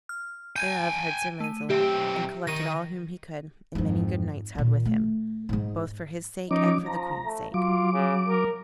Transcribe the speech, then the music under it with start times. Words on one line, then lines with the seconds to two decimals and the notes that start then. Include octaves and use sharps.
Thereof heard Sir Launcelot, and collected all whom he could; and many good knights held with him, both for his sake and for the queen's sake.
0.09 F6
0.56 G5 G#5 G6 G#6
1.40 A3 D#7
1.70 B1 C4 G4 E5
2.47 D#3 A#6 D#7
3.75 F2 G#2
4.55 A#2 D#3
4.85 A3
5.49 G#2 G#3
6.51 F3 C#4 D#4 D6
6.86 F3 A#5
7.25 A3
7.54 F#3 F4 D6
7.93 C#3
8.28 A#4